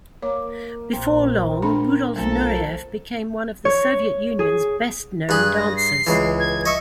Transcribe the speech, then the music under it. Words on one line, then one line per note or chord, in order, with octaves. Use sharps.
Before long Rudolf Nureyev became one of the Soviet Union's best-known dancers.
A#3 C#5
A#1 C4 A#4
C4 D4 A#4 A#5 B5
B1 F3 F#3 A3 C4 A4 A#4
C#5
G#4
G2 G#4 F#6
A#6
C7
C#2 E3
G#6
D#5 E5 C#6